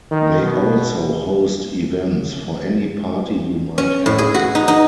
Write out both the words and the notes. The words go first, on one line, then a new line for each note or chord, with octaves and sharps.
They also host events for any party you might have.
D#3
B2
C#4
A2
G#4
F#4
D#4
D#4